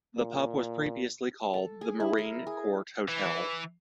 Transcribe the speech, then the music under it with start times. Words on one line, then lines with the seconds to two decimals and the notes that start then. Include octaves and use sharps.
The pub was previously called the Marine Court Hotel.
0.17 A#2
1.54 A4
1.81 G#4
2.00 E4
2.18 A#4
2.47 G#4
3.08 E3